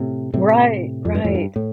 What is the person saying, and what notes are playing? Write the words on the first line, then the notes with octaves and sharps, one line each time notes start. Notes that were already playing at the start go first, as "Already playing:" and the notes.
right, right.
Already playing: A2 C3
A2 C3
F2
G2
F2 A2
G2
A2